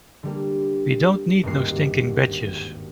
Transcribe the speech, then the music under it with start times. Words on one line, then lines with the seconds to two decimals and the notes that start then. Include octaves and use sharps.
We don't need no stinkin' badges!
0.23 D3 G3 A#3
1.43 D#1 G#1 G2 A#3 F#4 C7